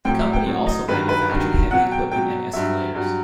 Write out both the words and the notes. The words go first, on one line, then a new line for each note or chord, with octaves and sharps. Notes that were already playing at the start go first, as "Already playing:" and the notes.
The company also manufactured heavy equipment and escalators.
A2 F#3 G5
E5
G5
A2 F#3
D#5
G2 D#3 F#3 B4
B4
G2 D#3 F#3
B2 F#3 F#5
G5
B2 F#3 G5
G2 F#3 E5
G2 F#3